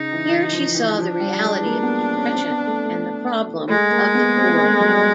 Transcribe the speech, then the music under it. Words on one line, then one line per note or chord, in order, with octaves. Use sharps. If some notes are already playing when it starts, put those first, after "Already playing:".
Here she saw the reality of the Depression and the problems of the poor.
Already playing: C#3 D#4
E3
E3
F3
E3
F3 D4
G3
G#3
A#3
B3
C#4
C4
B3
A3
A3
G#3 A3
A#3
B3
C4
A#3
A3
F#3
G3